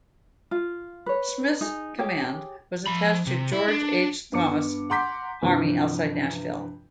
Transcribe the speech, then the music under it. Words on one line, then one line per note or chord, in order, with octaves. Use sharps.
Smith's command was attached to George H. Thomas' army outside Nashville.
F4
B4 C#5
D#4 G#4
G4 G#4 C#5 G5
F3 B5
C3
E4
D4
G2 B3 D6 C#7
F#5 A#5 C6 D6 G6 B6
G2 C3 E3 F3